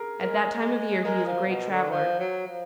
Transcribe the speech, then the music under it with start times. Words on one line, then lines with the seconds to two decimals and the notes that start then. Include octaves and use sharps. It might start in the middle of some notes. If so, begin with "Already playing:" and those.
At that time of year he is a great traveler.
Already playing: G#4 A#4
0.20 G#3 A#4
0.63 G#3
1.04 G#3 A#4
1.26 F3
1.48 B2
1.70 D3
1.91 F3
2.19 F#3
2.47 F3